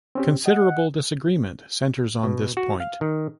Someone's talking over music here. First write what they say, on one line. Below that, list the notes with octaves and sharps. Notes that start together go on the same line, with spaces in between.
Considerable disagreement centers on this point.
C4 C#4 G4
D#5 F#5
B2
F#4
F5
D#3